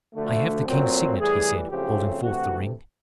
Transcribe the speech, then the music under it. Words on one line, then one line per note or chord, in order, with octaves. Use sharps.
"I have the king's signet," he said, holding forth the ring.
D2 D3 F3 A3
A#2 F#3 A3 C4
A2 E3 G3 G#4
F2 C#3 F#3 A3 C4 G4
D2 C3 E3 A3 F#4